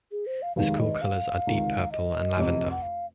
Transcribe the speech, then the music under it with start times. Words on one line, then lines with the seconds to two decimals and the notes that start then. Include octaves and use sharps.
The school colors are deep purple and lavender.
0.12 G#4
0.27 C5
0.42 F5
0.56 F1 D#2 D#3 G#3 F5
0.79 D#5
1.01 F5
1.47 C#2 C3 D#3
1.92 D#5
2.37 F1 F2 C3
2.71 F#5
2.82 F5